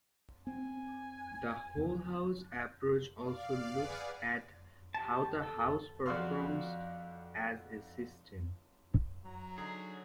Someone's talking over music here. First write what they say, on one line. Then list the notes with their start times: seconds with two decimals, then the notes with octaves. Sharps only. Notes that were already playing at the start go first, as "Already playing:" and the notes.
The "Whole-House" approach also looks at how the house performs as a system.
0.47 C4 G#5
1.77 E2 C#3 F3
3.18 D5 F5
3.72 G#4 B4 D5 F5 F#5 G#5
4.95 G4 A5
5.43 A4
6.06 F2 F#4 D5 F5 C6 F6
9.25 F#3 A#5
9.58 D3 D#4 G#4